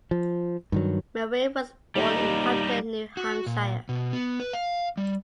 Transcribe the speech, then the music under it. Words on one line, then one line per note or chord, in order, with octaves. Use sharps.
Merrill was born in Hampton, New Hampshire.
F3
G2 D#3 F#3
D#2 G3 D#4
F#4
A#2
B2
B3
B4
F5
G3